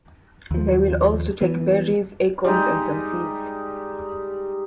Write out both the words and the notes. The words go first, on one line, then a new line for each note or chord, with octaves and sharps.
They will also take berries, acorns, and some seeds.
D#2 F3
E3 B3
G3 G#3 D#4